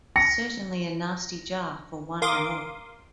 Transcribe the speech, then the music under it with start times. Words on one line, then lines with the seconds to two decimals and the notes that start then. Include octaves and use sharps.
Certainly a nasty jar for one and all.
0.16 A#6 C#7
2.22 A#4 F5 C6 D6 D#6